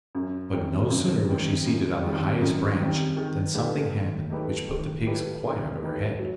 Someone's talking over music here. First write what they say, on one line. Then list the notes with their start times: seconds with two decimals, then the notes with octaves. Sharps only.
But no sooner was she seated on the highest branch than something happened which put the pigs quite out of her head.
0.15 F#2
0.52 D#3 G3 C4
0.90 F#2
1.28 D#3 G3 C4
1.66 F#2
2.03 D#3 G3 C4
2.42 F#2
2.79 D#3 G3 C4
3.17 D#3
3.54 A3 D#4 G4 B4
3.92 D#3
4.30 A3 D#4 G4 B4
4.68 D#3
5.06 A3 D#4 G4 B4
5.43 D#3
5.81 A3 D#4 G4 B4
6.19 F#3